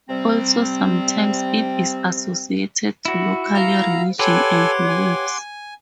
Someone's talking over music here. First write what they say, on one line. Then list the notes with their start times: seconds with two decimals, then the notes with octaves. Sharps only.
Also, sometimes it is associated to local religion and beliefs.
0.09 C3 G3 C4
3.05 E4 F#4
3.55 F5 A#5
4.19 G4 A4 B4 C#5 F#5 G#5 C6 D6
4.89 G#5